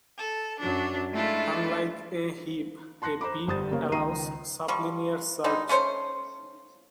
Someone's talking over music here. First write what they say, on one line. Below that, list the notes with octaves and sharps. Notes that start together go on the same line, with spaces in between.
Unlike a heap, a beap allows sublinear search.
A4
F#2 F#3 D4
G#3 A3 D4 E4 F4 A4
A5 C6 F#6 A#6 C#7
C5 A#5 B5 D6
G1 G2 C5 D#6 G6 A6
C#3 A#3 A#4 C5 C#5 F5
C#2 D#3 A#5 C7 D#7
F3 G3 C#6
D3 G3 G#3 D#4
A3 C#4 C5 C#5